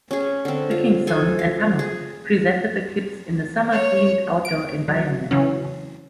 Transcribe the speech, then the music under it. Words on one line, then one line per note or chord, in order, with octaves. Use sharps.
Wikingsson and Hammar presented the clips in a summer-themed outdoor environment.
C#4 G#4
D3 C4
F4
A4 C5 G#5
F5
G#4
C#5
D7
F#3
C#3 E3 F#3 C#4